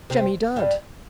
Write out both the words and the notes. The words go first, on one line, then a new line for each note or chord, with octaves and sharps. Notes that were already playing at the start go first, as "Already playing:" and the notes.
"Jemmy Dadd."
C3 C4
G2 G3